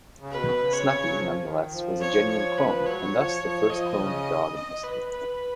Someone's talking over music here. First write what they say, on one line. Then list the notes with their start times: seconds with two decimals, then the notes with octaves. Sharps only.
Snuppy, nonetheless, was a genuine clone, and thus the first cloned dog in history.
0.20 C#3
0.31 B2 B4
0.59 C#3
0.73 C#5
0.79 B2
0.87 C#3
1.06 F#3
1.16 F3
1.44 D#3
1.72 F3
2.01 C#5
2.29 C#5
2.58 B4
2.81 G#3
2.86 F#3 C#5
3.14 F3
3.42 F3
3.70 F3 D#5
3.99 C#3
4.56 D#5
4.83 B4
5.11 B4